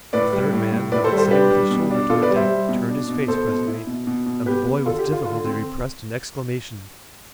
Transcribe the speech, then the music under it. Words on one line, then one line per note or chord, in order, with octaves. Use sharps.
The third man, who had been sitting with his shoulder toward Dick, turned his face presently, and the boy with difficulty repressed an exclamation.
A2 B4 D5
G3
A2
A2
A2 B4 D5
A4 C5
G3
A4 C5
D4 G4 B4
G3
B2
D4
B2 F4 A4
B4 D5
G3
C5 E5
G3
B2
D4
B2
B2 A4 C5
B2
E4
B2
B2
B2
B3 G4 B4
B3
D3 F4 A4
G4
D3
F4
D3 F4
C4